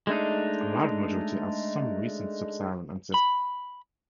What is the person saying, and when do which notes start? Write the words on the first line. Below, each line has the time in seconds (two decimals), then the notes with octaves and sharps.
A large majority has some recent Subsaharan ancestor.
0.07 G#3 A3 D4 D#4
3.14 B5